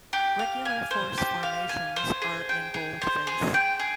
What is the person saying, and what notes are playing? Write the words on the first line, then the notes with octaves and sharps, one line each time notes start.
Regular Force formations are in bold face.
G4
F5
G#5
C5
G4
F5
G#5
C5
G#4
G5
G#4
C5
G#4
G5
G#4